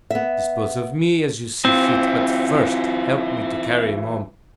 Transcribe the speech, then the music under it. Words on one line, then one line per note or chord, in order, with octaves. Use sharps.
Dispose of me as you see fit; but first help me to carry him home.
B3 E5
E3 C4 F4